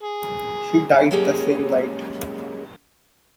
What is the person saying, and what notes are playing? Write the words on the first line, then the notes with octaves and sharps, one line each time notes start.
He died the same night.
G#4
F#3 G#3 A#3 C#4 G4 G#4